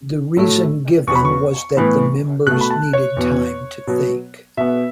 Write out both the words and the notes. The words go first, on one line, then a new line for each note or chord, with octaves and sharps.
The reason given was that the members needed time to think.
A2 F#3 A3
E2 B2 F#3 B3 C#6
B5
C#6
A2 E3 B3
B2 A3 F#6
B5
A5
C#5
E2 B2 B3
B2 F#3 B3
B2 B3 E5